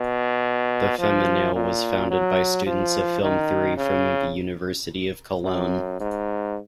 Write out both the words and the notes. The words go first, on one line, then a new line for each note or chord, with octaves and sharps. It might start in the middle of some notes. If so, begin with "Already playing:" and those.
The Feminale was founded by students of film theory from the University of Cologne.
Already playing: B2
F3
A#2
F#3
F3
D#3
C#3
F#2
G#2